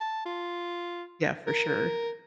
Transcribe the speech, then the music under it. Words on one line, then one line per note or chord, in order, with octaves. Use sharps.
Yeah, for sure.
A5
F4
A#4